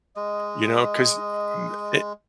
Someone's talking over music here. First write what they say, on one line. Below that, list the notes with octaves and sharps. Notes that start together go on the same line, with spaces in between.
you know, 'cause n it
G#3 D#5